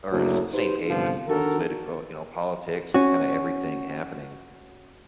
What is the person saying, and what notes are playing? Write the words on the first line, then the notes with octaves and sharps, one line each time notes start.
or s same page with, you know, political you know, politics and kinda everything happening.
F#1 D2 F#3
D#4 G4 B4 C5
G1 C2 D3 F3 F4
D#3 D4 F#4 A4 A#4
C#4 F#4